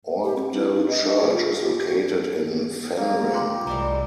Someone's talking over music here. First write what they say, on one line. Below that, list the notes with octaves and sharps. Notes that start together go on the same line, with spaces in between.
Orkdal Church is located in Fannrem.
G4
C4
E4
D#4
D#5
G#4
F4
G4
F#4
A#3 D5 F5
F4 G4 C6
C2 E3 G3 G#3 A#5